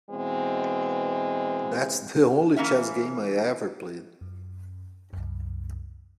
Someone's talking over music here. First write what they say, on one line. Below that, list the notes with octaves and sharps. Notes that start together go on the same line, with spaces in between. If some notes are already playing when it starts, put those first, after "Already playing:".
That's the only chess game I ever played.
B2 E3 G#3 B3 C4
E3 A#3 C#4 E5
F#2
C2 F#2